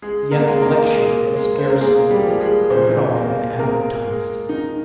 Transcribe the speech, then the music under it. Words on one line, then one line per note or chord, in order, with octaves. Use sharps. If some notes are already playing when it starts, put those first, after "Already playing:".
Yet the lecture had scarcely, if at all, been advertised.
G#3 G#4
A#3 A#4
G#3
A#3 A#4
G#3
G#3
C5
A#4
G#3 A#3 G#4
G3 G4
F3
G#3 G#4
A#2 C4 C5
A#3
G#3 A#3 A#4
G#3
D#3 D#4